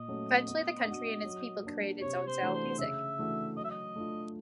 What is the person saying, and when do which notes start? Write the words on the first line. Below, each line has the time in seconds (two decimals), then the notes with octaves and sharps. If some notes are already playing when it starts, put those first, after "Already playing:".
Eventually the country and its people created its own style of music.
Already playing: A#2 D#5
0.08 F#3 A3 C#4
0.47 B3
0.85 D4 F#4
1.25 F#3
1.63 A#3 D4
2.01 C3 C#5
2.27 C5
2.40 E3 A3 D4 F#4
2.53 C5
2.79 C#3 E5
3.19 E3 A3 D4 F#4
3.57 F#3 D#5
3.64 E5
3.70 D#5
3.96 A3 D4 F4